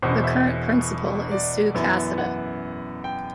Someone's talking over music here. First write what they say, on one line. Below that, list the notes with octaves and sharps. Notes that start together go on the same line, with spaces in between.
The current principal is Sue Cassata.
E1 E2 B2 C5
E5
D5
F#2 E3 B3
F#5
G5